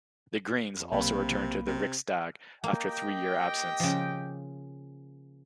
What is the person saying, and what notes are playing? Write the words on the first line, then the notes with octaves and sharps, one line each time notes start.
The Greens also returned to the Riksdag after a three-year absence.
F2
B1 C3 A#3 B5
C3
A#3 G4 D#5 G5
C#3 F3